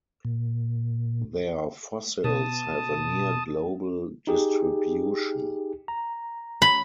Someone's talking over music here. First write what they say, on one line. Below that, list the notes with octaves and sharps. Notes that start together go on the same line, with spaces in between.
Their fossils have a near global distribution.
A#2
B2 A5 D#6
D#4 G4 G#4
A#5
B5